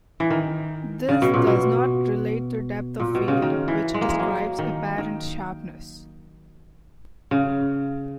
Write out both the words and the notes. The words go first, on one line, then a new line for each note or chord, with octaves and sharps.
This does not relate to depth of field which describes apparent sharpness.
E3
D#3
C#3
B2
A#2
B2
A#2
B2
C#3
D#3
E3
G#3
A#3
E3 G#3
F#3 A#3
D#3
D#3
C#3